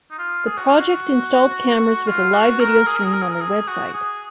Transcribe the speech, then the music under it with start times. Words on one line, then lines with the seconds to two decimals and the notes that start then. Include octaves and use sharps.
The project installed cameras with a live video stream on their website.
0.11 D#4
0.18 F4
0.46 G#4
0.57 F#4
0.68 F4
0.79 F#4
2.07 F4
2.33 F#4
2.60 A#4
2.87 G#4
2.96 A#4
3.05 G#4
3.14 A#4
3.22 G#4
3.32 A#4
3.42 G#4
3.68 F#4
3.94 G#4